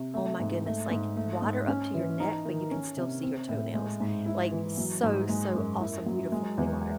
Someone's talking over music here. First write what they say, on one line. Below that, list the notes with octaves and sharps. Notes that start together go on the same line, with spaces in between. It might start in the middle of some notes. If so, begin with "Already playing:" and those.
oh my goodness, like water up to your neck, but you can still see your toenails, like, so, so awesome, beautiful clear water,
Already playing: C3
A3
G#2
A3
G#2
A3
G#2
C#4
E3
D#4
D#3
C#4
C3
C4
A2
G#3
G#2
E4
E3
F#3
G#2
G#3
F#2
E4
F#3
G#3
E2